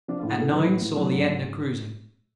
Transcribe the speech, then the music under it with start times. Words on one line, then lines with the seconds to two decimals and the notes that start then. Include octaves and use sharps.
At nine saw the AEtna cruising.
0.08 F3 D4
0.19 F4
0.23 A2
0.30 F#4
0.38 A2 A4
0.52 F#3 B4
0.67 A2
0.81 A2
0.96 F#3
1.11 G#2
1.26 G#2